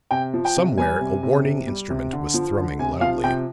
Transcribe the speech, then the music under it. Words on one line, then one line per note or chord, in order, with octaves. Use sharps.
Somewhere a warning instrument was thrumming loudly.
C3 G5
F3
G5
C3
G3 G#5
C3
C3
C3
G3
C3
D3
F3
D3
C3 G#5
F3 F5
C3 G5